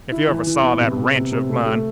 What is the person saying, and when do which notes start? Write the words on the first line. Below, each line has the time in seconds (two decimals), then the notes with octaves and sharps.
If you ever saw that ranch of mine!
0.12 E4
0.29 E3
0.47 E3
0.64 B3
0.80 C3
0.98 C3
1.15 C3
1.32 C3
1.49 A3
1.66 A3